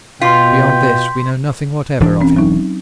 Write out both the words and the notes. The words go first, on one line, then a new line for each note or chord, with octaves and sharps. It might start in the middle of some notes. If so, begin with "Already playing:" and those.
Beyond this we know nothing whatever of him.
B2 F4 G5 C6 B6
E1 E3 D4
C4 C#4
F#3 D#4